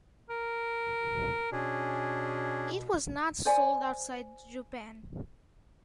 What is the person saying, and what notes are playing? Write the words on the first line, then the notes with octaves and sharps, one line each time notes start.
It was not sold outside Japan.
A#4
B2 C#4 D4 G#4
C5 D5 G#5